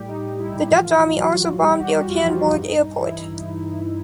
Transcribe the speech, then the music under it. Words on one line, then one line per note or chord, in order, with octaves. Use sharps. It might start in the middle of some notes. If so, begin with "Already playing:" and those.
The Dutch army also bombed the Okanburg Airport.
Already playing: A2 G3 G4
D#4
A2
E4
E3 F3 F4
A2 F#3 F#4
E3 G3 G4
F#4
G3 G4
F2 F4
E4
F3 F4
G2 D#4
E3 E4